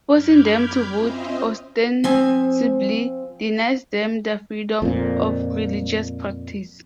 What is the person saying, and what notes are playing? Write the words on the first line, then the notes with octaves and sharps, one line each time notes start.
Forcing them to vote ostensibly denies them their freedom of religious practice.
F#2 B5 D6 F6 G6 G#6
C4 C#4 F4 C5 D#5 E5
F3 C4 G#5
F2 A#2